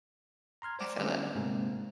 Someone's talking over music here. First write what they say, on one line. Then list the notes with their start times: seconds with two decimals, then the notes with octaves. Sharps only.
I feel that.
0.62 A#5 C6 F6 G#6
0.79 C5 D5 F#5 D6
0.99 D3 F#3 G3 A3 B3 C#4
1.35 G#2 C3 G#3 A#3 C4